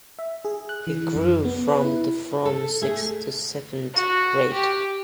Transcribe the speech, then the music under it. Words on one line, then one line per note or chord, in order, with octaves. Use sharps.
He grew from to from sixth to seventh grade.
E5
G#4
F#6
E3
F#2
B3
B4
E4
A4
A3 G#4
F#4
G4